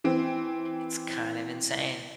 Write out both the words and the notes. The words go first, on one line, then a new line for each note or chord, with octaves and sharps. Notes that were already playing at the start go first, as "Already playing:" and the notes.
It's kind of insane.
E3 C4